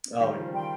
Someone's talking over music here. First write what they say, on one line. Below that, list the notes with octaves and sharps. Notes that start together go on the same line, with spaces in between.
Oh, it
D#3 G3 C5
C#3 F3
D#3 G3 G5 C6